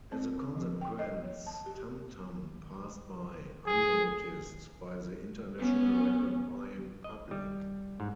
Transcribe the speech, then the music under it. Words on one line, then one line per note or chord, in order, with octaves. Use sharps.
As a consequence, "Tam-Tam" passed by unnoticed by the international record-buying public.
C4
F3
G5
D#5
C#5
A5
G4
G#4
B3 C#4
D#5
G3
G#2